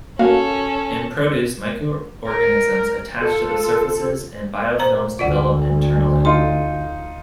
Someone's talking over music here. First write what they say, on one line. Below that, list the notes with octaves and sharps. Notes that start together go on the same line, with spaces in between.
In produce, microorganisms attach to the surfaces and biofilms develop internally.
A#3 C#4 F#4 A4 F5
A#4
F4 A4
A#2 C5 A#5
D2 F4 D5 F#5
D#4 F4 C6